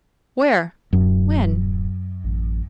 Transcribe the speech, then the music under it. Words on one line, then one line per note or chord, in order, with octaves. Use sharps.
"Where? When?"
D1 F#2
A1